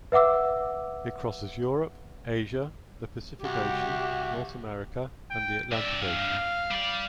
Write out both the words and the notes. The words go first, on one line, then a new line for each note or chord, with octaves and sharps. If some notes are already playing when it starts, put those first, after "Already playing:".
It crosses Europe, Asia, the Pacific Ocean, North America, and the Atlantic Ocean.
B4 E5 F#5 D6 E6
C2 F#4 G4
G5
G2 D5 E5
F5
G3 D5